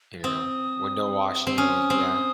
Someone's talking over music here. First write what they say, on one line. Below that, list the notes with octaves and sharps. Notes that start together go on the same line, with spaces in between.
you know, window washing yeah?
C4 D#6
C4
C#4 D#6
C4